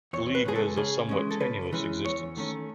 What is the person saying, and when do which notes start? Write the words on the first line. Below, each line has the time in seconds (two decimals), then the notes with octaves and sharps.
The league has a somewhat tenuous existence.
0.13 E2 C#5
0.35 B4
0.45 C#3 G#3 G#4
0.55 A4
0.77 C#3 G#4
1.09 E3 G#3 C#4
1.31 A4
1.40 C#3 B4
1.73 E3 G#3 C#4
2.05 E2 C#5
2.37 D#3 A3 C#4